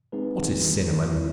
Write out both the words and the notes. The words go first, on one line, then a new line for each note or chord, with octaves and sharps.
What is Cinnamon?
G#3 C4 D#4 G#4 B4
D#3 G3 A#3
D#3 G3 C4 E4 G4